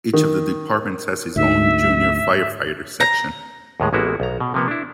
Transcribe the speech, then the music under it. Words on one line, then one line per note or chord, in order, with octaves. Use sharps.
Each of the departments has his own junior firefighter section.
D#3
D2 G#2 E5
A#5
D#2 A2 G#3
A1 G#3 A#3 B3 E4 F#4
B1 A#5
B2
C3 F3 A#3 B3
D4 E4